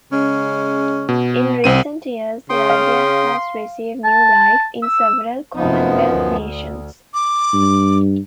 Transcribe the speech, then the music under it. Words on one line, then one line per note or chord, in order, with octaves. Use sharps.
In recent years, the idea has received new life in several Commonwealth nations.
C#3 G#3 C#4
B2
C2 C4 D#7
C#3 G5 C6 D#6
F5
A5
E6
F1 F#2 F3 B3 D#4
D2
D6
G2